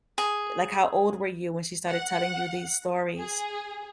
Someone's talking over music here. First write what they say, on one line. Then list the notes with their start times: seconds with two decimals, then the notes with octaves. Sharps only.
Uh, like, how old were you when she started telling you these stories?
0.18 G#4
1.89 F#5
3.19 G#4